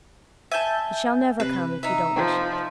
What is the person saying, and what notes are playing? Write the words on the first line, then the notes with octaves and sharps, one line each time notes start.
He shall never come, if you don't wish it.'
E5 G#5 A5 G6
C3 B4
D#4 E5
F3